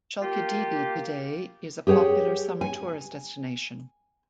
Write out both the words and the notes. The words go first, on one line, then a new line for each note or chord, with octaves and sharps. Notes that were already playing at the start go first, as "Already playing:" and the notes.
Chalkidiki today is a popular summer tourist destination.
A#3 F4 G4
G4 G#4 C5 C#5 F#5
G#5